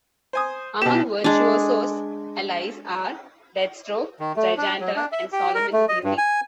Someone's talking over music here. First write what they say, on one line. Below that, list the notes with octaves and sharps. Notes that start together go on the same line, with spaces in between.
Among Virtuoso's allies are Deathstroke, Giganta, and Solomon Grundy.
C5 G#5 D#6
B2 G4 E7
G#3 D4
D#3
A3
D4
F#3
D4
E5
G4
A#4
A3
D#5
G2
G#5